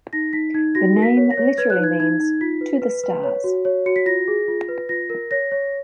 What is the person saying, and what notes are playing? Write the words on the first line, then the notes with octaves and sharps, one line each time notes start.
The name literally means "To the Stars".
D#4 A#6
D#4 B6
D#4 G#6
F#4 A#6
A#4
B6
C#5
A#6
C#5
B4 G#6
F#6
D#4 G#6
D#4 G#6
D#4
F4 B6
B4
B4
B4
C#5
F#4
C#5
F#4 C#7
B6
F4 A#6
G#4
F4
B4
F4 A#6
A#4
C#5 A#6
C#5